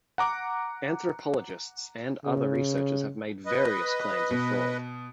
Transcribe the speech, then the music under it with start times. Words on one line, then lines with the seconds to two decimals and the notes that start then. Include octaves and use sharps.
Anthropologists and other researchers have made various claims of fraud.
0.18 F#5 A#5 D6
2.25 C#3
3.46 B4 D#5
4.31 B2